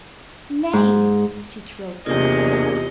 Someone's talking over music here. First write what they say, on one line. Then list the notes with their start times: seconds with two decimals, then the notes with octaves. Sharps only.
"Nay!" she trilled gladly.
0.73 G#2
2.06 E2 C3 A#3 D4 F4 G4 G#4 D#5